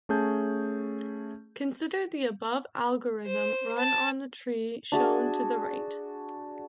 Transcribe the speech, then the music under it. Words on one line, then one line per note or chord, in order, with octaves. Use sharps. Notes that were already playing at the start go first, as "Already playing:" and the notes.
Consider the above algorithm run on the tree shown to the right.
A3 C#4 G#4 A5 G6
C5
A5
D4 F#4 G#4